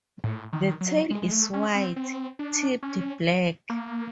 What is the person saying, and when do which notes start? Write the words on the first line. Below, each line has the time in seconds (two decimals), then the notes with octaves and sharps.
The tail is white, tipped black.
0.24 A2
0.53 D#3
0.81 F#3
1.10 G#3
1.22 G#3
1.32 A3
1.53 C#4
1.75 C4
1.96 C4
2.39 D4
2.83 C#4
3.70 A#3